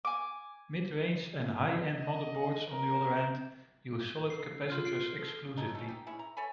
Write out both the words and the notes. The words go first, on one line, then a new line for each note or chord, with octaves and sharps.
Mid-range and high-end motherboards on the other hand use solid capacitors exclusively.
G#5 D6
D#5
A#4
A4 C7
F4 C6 F6
C7 D7
A4
F#3 G#3 D#4 A4
C#4 A4
D#4 G4
C#4 E4 G#4
A#5
A4 C#5 G#5 B5